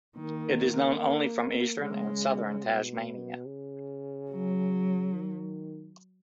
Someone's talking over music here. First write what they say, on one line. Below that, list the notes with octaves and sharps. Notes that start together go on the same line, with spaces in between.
It is known only from eastern and southern Tasmania.
D#3 A#3
C#3 G#3
B2
C#3
F#3
D#3